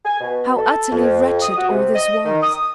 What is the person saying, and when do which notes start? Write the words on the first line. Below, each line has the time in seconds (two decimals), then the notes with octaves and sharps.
How utterly wretched all this was.
0.05 G#5
0.21 B2
0.57 A4
0.91 F2
1.42 D#6
1.57 F#4
1.70 C3
1.94 D#5
2.25 D#3
2.42 D#6